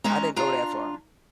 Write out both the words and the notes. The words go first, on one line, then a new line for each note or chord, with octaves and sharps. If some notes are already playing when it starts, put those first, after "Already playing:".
I didn't go that far.
G#3 C#4 D#5 A#5
D4 F4 A#5